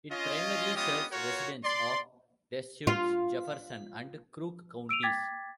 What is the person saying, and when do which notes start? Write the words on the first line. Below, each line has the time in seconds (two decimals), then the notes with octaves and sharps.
It primarily serves residents of Deschutes, Jefferson, and Crook Counties.
0.10 C#4 F4 D#5
0.76 B3 C#4 F4 G4 D#5 D#6
1.12 F4 F#4 A#4 C#5
1.64 D5 C6
2.87 F4
4.89 E6 D7 D#7 F7
5.03 G5 D6 G#6 A6 B6